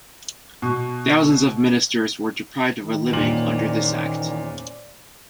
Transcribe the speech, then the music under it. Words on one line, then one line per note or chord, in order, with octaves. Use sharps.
Thousands of ministers were deprived of a living under this act.
B2
D#3
E2 A#2 C#4 C5 D5 F#7